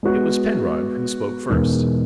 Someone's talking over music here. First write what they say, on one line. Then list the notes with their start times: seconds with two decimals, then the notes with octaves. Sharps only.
It was Penrod who spoke first.
0.03 G#3 B3 F#4
1.50 E2 B2 G#3 D#4 A#4